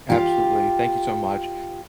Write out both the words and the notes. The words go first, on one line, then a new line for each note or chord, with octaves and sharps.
Absolutely. Thank you so much.
F4 G4